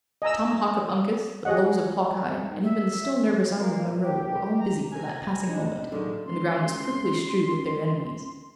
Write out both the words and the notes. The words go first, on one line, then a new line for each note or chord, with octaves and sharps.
The tomahawk of Uncas, the blows of Hawkeye, and even the still nervous arm of Munro were all busy for that passing moment, and the ground was quickly strewed with their enemies.
D#5 G#5 A#5 E6
G4 G#4 C#5 D#5 F#5
C3
D#3
E5
E5
E3
C#3
A#3
A#2
G4
A#5
C3 G#5 A#5
G3 D4 D#4
A1 D3 D#3 F#3 G#3 A#3
C#2 C6
C#2